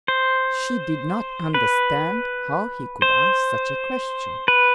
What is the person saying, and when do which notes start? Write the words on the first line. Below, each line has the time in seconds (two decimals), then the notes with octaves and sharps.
She did not understand how he could ask such a question.
0.08 C5
1.54 B4
3.02 C5
4.48 B4